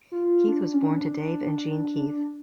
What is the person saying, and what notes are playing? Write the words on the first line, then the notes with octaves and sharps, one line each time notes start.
Keith was born to Dave and Jean Keith.
F4
D4
C#4
D4